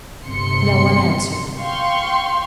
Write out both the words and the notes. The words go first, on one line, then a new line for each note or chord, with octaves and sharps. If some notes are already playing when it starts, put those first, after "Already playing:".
No one answered.
G1 C3 C6 C#7
F5 G5 C6 C#6